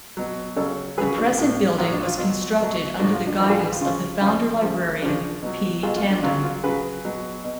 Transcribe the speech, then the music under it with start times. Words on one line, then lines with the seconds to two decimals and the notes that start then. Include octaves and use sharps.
The present building was constructed under the guidance of the founder librarian P. Tandon.
0.17 B2 F#3
0.56 C#3 F#3 A4 C#5
0.97 C#3 F#3 G#4 B4
1.18 D4 F#4
1.38 A2 F#3
1.78 A2 F#3 F4
1.92 D4
2.05 F4
2.18 B2 F#3 F4
2.60 B2 F#3
2.99 A2 F3 D4 F#4
3.14 F4
3.27 D4
3.40 A2 F3 D4 F#4
3.50 F4 G#4
3.60 G#4 B4
3.71 F4
3.81 C#3 F3 F4
4.21 C#3 F3 F4
4.62 C#3 F3
5.02 C#3 F3 D4
5.42 B2 F#3
5.83 B2 F#3 F4 G#4
5.96 F4
6.10 D4
6.23 C#3 F#3 F4
6.44 F4
6.64 C#3 F#3 G#4 B4
7.05 B2 F#3
7.44 B2